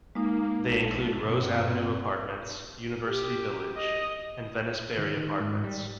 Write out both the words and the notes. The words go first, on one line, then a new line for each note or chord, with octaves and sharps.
They include Rose Avenue Apartments, University Village, and Venice-Barry Apartments.
G#3 A#3 D#4
A#1 A4
G2 B2 C4
G4
D#5
D#3
D#3
G#2
G3